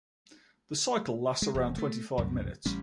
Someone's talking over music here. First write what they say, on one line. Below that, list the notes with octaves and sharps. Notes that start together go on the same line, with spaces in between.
The cycle lasts around twenty-five minutes.
G#3
E1
A3
C2 F#2
A1 G3 C#4